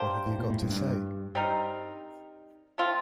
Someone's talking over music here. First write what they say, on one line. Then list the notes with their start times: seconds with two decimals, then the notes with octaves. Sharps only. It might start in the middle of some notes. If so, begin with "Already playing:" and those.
What have you got to say?
Already playing: A#3 D4 G4 C5
0.26 A2
0.39 A#2
0.50 A2
0.62 G2
1.35 G3 C4 D#4 A#4
2.78 A3 C4 F4